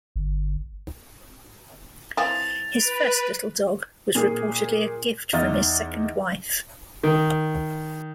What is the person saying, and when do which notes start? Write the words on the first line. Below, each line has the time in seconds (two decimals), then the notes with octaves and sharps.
His first little dog was reportedly a gift from his second wife.
0.16 G1
2.17 E3 F3 C4 A6 F7
2.74 B4 D7 F7
4.15 A#2 G#4
5.33 E2 D#4 D#5 E5 F6 A6
7.03 D#3